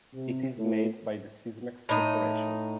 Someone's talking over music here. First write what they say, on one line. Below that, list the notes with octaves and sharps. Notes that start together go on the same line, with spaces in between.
It is made by the Sysmex Corporation.
C3
A2
A2 D#4